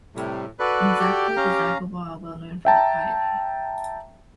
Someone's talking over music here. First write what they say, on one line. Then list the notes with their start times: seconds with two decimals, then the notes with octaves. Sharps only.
In Darfur, the Zaghawa are well-known for their piety.
0.15 A2 C3 G3
0.60 F#4 A4 B4 D5
1.00 G4
1.37 C#4 F5 A#5
2.65 E5 G5 A5 A#5